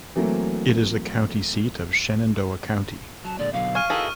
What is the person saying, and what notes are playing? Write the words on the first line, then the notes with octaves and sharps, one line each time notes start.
It is the county seat of Shenandoah County.
E3 F#3 A3 A#3 C4
F#3 A5
A#2 D3 G#3 D5
B2 D3 F#3 F5
G#5 C#6 F6 D#7
D#3 E4 F#4 G#4 A4 B4